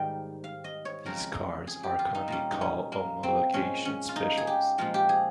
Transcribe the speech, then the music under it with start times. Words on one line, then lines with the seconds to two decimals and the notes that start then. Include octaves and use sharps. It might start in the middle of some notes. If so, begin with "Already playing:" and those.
These cars are commonly called "homologation specials".
Already playing: G#2 D#3 G3 F5 G5
0.44 F5
0.64 D#5
0.85 C#5
1.06 F2 C#3 G#3 A#4
1.67 G#4
1.83 G4
1.99 F4
2.15 D#4
2.28 A#2 G3 C#4
2.52 D#4
2.61 C#4
2.92 A#3
3.23 C4
3.53 A#2 G#3 C#4
3.85 C#4
4.09 F4
4.16 D#4
4.37 G#4
4.47 G4
4.78 A#2 F3 G#3 F4
4.94 G4
5.09 G#4